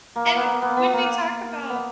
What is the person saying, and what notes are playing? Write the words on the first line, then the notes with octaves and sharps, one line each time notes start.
And when we talk about
A#3
A#3
B3
A#3
B3
B3
A#3
B3